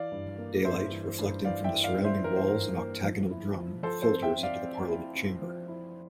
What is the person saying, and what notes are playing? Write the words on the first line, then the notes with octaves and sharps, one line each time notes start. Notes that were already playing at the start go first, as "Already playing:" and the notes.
Daylight, reflecting from the surrounding walls and octagonal drum, filters into the Parliament Chamber.
Already playing: E3 D5 F5
G2
A#3
G2 C5 E5
E3
G2
E3 D5 F5
E5 G5
E3
D5 F5
G2
C5 E5
E3 A#4
C5
G2 A#4
A#3
F3
E4
F3
F3 A4 C5
A4 C5
C4
E5 G5
C4
D5 F5
C4
E4
C4
F3
E4